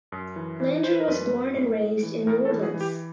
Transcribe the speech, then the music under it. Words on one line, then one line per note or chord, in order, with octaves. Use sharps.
Landry was born and raised in New Orleans.
F#2
E3
E3
E3 C5
B4
A#4
F#2 B4
F#2
A2
A2
E3
A2 A#4
A4
E3
G#4
E3
G4